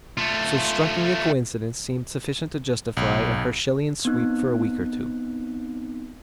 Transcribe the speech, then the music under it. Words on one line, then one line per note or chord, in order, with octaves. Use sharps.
So striking a coincidence seemed sufficient to justify a Herschelian "sweep" for a week or two.
A3 F4
B1
B3 C4 D#4 F#6